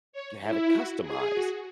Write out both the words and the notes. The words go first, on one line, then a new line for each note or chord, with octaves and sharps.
ge have it customized.
C#5
E4
F#4
G#4
F#4